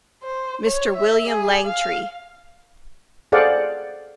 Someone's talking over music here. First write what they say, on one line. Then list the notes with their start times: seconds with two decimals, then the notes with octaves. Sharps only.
Mr. William Langtry.
0.23 C5
0.64 C#5
0.96 E5
1.29 G#4
1.67 F5
3.32 G#4 A4 C5 D5 F5 F#5